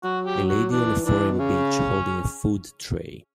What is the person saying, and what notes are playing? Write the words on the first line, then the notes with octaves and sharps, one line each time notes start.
A lady on a foreign beach holding a food tray.
F#3 F#4
G4
F#4
E3 D4
E3 D4
B2
C#3 C#4